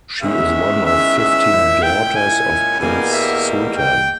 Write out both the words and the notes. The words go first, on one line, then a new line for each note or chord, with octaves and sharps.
She is one of fifteen daughters of Prince Sultan.
E2 D#3 G#3 C#4 E5
E5
E5
A#2 G#3 C#4 E4
G5
G#5
E2 B2 G3 A#3 G#5
E5
G5